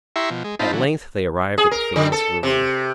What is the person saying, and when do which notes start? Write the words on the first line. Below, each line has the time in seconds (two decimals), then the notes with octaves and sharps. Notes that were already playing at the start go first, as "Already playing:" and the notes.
At length they arrived at the famous room.
0.16 E4 G4 E5 A#5 C6 C#6
0.30 B2 F3
0.44 G#3
0.59 C4 D#4 F4 A5 B5
0.72 D3 E3 F#3
1.58 G#4
1.71 A#4
1.96 D3
2.12 A4
2.43 C3